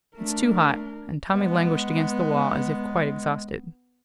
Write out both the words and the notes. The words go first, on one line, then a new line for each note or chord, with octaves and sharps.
"It's too hot," and Tommy languished against the wall as if quite exhausted.
A3 D4 A#4
G#3 B3